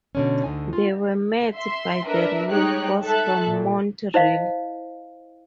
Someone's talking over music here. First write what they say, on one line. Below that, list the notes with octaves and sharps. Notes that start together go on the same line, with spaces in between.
They were met by the relief force from Montreal.
B2 D3 C#4
D2 D3 D#4 G#5
F4
E5 C6
D4 A#4 B4 E5
G3 G#3 D#4 G4 C#5 F#6
A4 E5 A5 F#6
A#2
E4 C5 D#5 F5